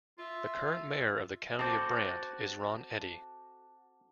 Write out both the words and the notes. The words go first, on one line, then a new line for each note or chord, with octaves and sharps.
The current mayor of the County of Brant is Ron Eddy.
F4 E5
C4 F#4 A4 A5 D6 G6